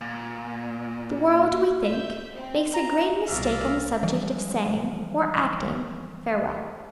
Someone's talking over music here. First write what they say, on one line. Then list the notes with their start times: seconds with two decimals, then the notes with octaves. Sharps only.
The world, we think, makes a great mistake on the subject of saying, or acting, farewell.
0.01 A#2
1.84 E5 G6
2.35 C4
2.74 A#5
3.28 C2 F2 G#2 B2 A#4 D5 E5 F5
4.03 E3 F3 G3 G#3